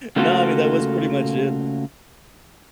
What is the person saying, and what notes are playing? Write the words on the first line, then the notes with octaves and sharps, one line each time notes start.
no, I mean, that was pretty much it.
C#3 A3 A#3 F4 F#4 A4